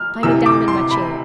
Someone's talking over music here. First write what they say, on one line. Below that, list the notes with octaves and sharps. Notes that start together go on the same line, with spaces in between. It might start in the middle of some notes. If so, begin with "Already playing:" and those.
Tie me down in my chair.
Already playing: F6
D2 C3 E3 E6
D6
C6
B5